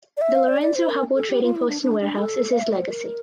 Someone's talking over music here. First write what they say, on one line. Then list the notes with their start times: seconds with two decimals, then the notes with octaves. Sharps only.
The Lorenzo Hubbell Trading Post and Warehouse is his legacy.
0.17 D5
0.21 E5
0.35 F5
0.48 D5
0.62 D5
0.75 C5
0.89 A#4
1.15 A4
1.30 G4
1.42 F4
1.55 E4
1.69 D4
1.82 D4
2.01 D4
2.18 A4
2.52 F5
2.62 E5
2.72 D5
2.81 C5
2.90 A#4